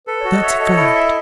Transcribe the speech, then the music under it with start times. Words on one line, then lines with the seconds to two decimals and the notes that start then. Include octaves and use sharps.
That's a fact!
0.07 A4 B4
0.21 F#4 C#5
0.34 D#5
0.42 C#5 E5
0.59 A4 D#5
0.77 E4
0.95 E5